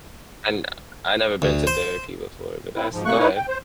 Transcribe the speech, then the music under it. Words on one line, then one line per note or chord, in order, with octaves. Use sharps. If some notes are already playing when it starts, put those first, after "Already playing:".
And I never been to therapy before, but that's go ahead.
D2
C5
C4 E4
G#2 F3
C3 A3 A#3 C#6 F#6
D#4 E4 B4 C#5
G5
C5